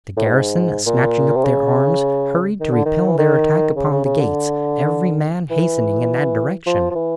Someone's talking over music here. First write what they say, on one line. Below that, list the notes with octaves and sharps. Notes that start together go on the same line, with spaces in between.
The garrison, snatching up their arms, hurried to repel their attack upon the gates, every man hastening in that direction.
A2
G#2
A#2
C3
C#3
D#3
D3
D#3
E3
D#3
C#3
C#3
C#3
D3
E3
F3
F3
E3